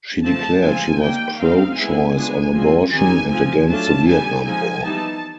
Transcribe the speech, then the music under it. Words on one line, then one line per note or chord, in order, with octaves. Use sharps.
She declared she was pro-choice on abortion and against the Vietnam War.
F3 A3 C4 A5
F3 G#3 C4 F4 G#5
D#3 G3 A#3 G5
A3 C4 D#4 F5
G#3 B3 E4 G#5
G#3 B3 D4 F4
F3 G#3 C4 F4
D#3 G3 C4 D#4 G#5
F3 A3 C4 F4 G#5
F#3 A3 D4 F4 A5
D3 G3 B3 G#5
F3 G#3 C4 D#4 G#5
E3 G3 B3 D#4 A5